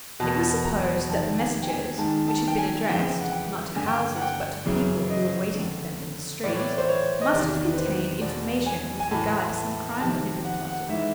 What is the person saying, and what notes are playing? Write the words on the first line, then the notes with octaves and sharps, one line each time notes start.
It was supposed that the messages, which had been addressed, not to houses, but to people who were waiting for them in the street, must have contained information with regard to some crime that had been plotted.
E2 B2 A5
A#5
F2 C3 D#3 A5
G#5
G5
G#5
G#2 D#3 A5
A5
G5
G#5
F2 C#3 E3 G5
F#5
G5
G2 D3 G#5
G5
G#5
F#5
G5
F#2 C#3 E3
D#5
F2 D3
A2 E3 C#5 D5
D5
C5
C#5
D#5
E2 C3 D#3 D5
B4
C5
E2 B2 D5
G#5
G#5
A2 E3 A5
A5
A#5
F2 C3 D#3 A5
F#5
F#5
G#2 E3 E5